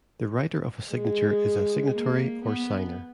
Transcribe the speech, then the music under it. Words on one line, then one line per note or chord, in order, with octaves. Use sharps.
The writer of a signature is a signatory or signer.
G#3
A#3
B3